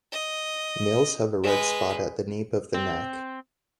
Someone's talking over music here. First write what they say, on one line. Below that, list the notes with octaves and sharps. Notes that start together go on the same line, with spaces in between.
Males have a red spot at the nape of the neck.
D#5
G#3 B4
C4